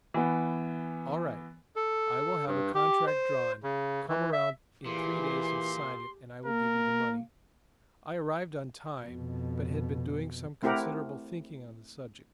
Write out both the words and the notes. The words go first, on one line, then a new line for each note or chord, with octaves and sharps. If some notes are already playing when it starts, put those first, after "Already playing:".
'All right, I will have a contract drawn; come around in three days and sign it, and I will give you the money.' I arrived on time, but had been doing some considerable thinking on the subject.
E3 B3
A4
G2
G4
C5
C#3
E3
E5
A#2 E3 G4 G#4 C6
A#3 A#4
F2 B2
A3 C4 E4 G4 A#4 F#5